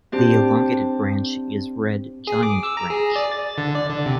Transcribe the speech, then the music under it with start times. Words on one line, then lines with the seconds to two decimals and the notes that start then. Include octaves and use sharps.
The elongated branch is Red giant branch.
0.12 C4 D4 G4
2.27 G#4
2.43 D6
2.63 E6
2.77 A#5
2.90 G#4
3.16 D5
3.32 A6
3.58 D3
3.75 D5
3.90 D3
4.06 C3